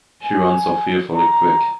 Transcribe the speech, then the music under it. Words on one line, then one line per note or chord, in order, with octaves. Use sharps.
She runs so fearfully quick.
G#5
A#5